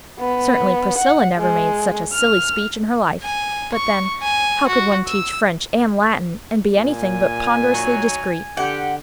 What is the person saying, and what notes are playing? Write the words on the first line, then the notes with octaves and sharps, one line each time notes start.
Certainly Priscilla never made such a silly speech in her life; but then, how could one teach French and Latin, and be anything but ponderously discreet?
B3
F#5
G#3
F6
G#5
C#6
G#5
F#4
E6
A#2 G#5
D#3 F#3
D3 G4 F#5